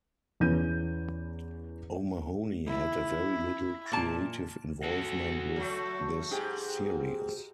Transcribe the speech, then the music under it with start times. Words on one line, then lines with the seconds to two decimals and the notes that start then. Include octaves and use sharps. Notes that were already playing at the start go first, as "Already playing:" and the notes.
O'Mahony had very little creative involvement with this series.
0.40 E2 E3 C#4 B4 G6 D#7
2.68 E4
3.92 A#2 A5
4.84 F#4 A4
5.56 F#3 A3
6.31 G#2 G4 G#4